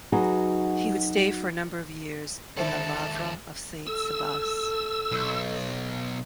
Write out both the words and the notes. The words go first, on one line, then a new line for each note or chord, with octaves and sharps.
He would stay for number of years in the Lavra of Saint Sabas.
F#3 D#4 F#4 G#4 B4
D#2 D3 D#3 E4 A4 C5 E5 A5
A4 E6
B1